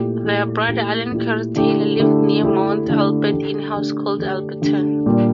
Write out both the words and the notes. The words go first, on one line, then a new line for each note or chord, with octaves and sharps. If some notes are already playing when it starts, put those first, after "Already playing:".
Their brother Allen Kerr Taylor lived near Mount Albert in a house called Alberton.
Already playing: A#2 A3 E4 G4
A#2 A3 E4 G4
A#2 A3 E4 G4
A#2 A3 E4 G4
D3 A3 E4 G4
D3 A3 E4 G4
D3 A3 E4 G4
D3 A3 E4 G4
D3 A3 D4 G4
D3 A3 D4 G4
D3 A3 D4 G4
D3 A3 D4 G4
A#2 G3 A#3 D4